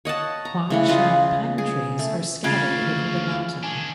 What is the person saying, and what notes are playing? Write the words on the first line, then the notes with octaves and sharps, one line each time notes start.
Huangshan pine trees are scattered over the mountain.
C#5 D#5 F#5 A5
A#5
C#3 E3 F#5
F4 B4 D#5
G#4
A3
D2 C#3 A#3 F4 F5 G#6 A6
D#3 D4 G#5